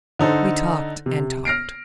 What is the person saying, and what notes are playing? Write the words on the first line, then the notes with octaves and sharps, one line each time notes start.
We talked and talked.
D3 D#4 A4 C5
C3
F6 A#6 C7 D7